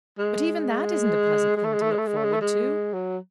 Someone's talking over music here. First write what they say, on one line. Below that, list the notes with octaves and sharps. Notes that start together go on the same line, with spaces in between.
But even that isn't a pleasant thing to look forward to.
G#3
G#3
A3
G#3
A3
G#3
A3
G#3
A3
G#3
A3
G#3
F#3